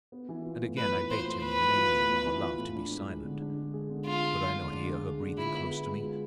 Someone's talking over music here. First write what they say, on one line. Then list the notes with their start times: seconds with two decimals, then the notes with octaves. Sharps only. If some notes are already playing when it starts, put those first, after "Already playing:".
And again I begged him in the name of our love to be silent. Could I not hear her breathing close to me?
0.12 B3
0.29 E3
0.45 F4
0.62 A2
0.77 B3 B4
0.94 E3
1.11 F4 C5
1.27 A2
1.44 B3 B4
1.60 E3
1.77 F4
1.93 A2
2.10 B3
2.25 E3
2.42 F4
2.58 A2
2.75 D4
2.91 G#3
3.08 G#4
3.24 D3
3.41 D4
3.57 G#3
3.73 G#4
3.90 D3
4.06 D4 F4
4.22 G#3
4.39 G#4
4.55 D3
4.72 D4
4.88 G#3
5.05 G#4
5.21 D3
5.37 E4 F4
5.54 B3
5.71 G#4
5.87 G#3
6.03 F4